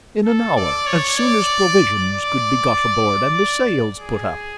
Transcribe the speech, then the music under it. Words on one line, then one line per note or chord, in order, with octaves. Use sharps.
"In an hour; as soon as provisions could be got aboard and the sails put up."
A4
D5
C#5
D5
D5
G#4